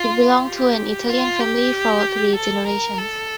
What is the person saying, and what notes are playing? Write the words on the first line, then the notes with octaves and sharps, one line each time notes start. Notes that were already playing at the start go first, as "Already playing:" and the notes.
It belonged to an Italian family for three generations.
Already playing: F4
G4
F4
G4
A4
A#4
A4